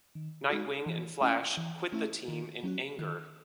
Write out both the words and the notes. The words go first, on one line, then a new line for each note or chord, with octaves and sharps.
Nightwing and Flash quit the team in anger.
D#3
G#3 D#4 F#4
E3
A3 C#4 E4
E3
A3 C#4 E4
D#3
F#3 C#4 F#4
D#3